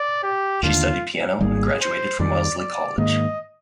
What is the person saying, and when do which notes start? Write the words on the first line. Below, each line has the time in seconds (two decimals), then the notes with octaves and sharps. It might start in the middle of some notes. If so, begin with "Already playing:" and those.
She studied piano and graduated from Wellesley College.
Already playing: D5
0.23 G4
0.63 D#2 D3 G#3 D4 F4
1.41 G#1 G#2 G3 A#3 G#4
1.81 C5
2.19 F2 D#3 G3 D5
2.58 D5
2.98 G#2 D#3 A#3 D#5